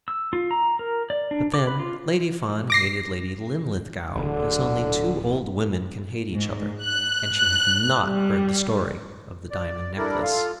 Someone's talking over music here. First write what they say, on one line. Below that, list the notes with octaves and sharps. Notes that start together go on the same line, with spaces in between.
But then Lady Fawn hated Lady Linlithgow as only two old women can hate each other;--and she had not heard the story of the diamond necklace.
E6
F4
A#5
A#4
D5
D4
D6
B4
F4
D6 A#6 C7
D1 D3
G#2
F#6
F#6
G3
D5
G3 D4 E4 A4 A#4 D5
F4 A4 F5